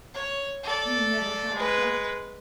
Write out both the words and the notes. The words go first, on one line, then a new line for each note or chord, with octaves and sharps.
You never had a heart.
C#5
A4 D5
G#3 B4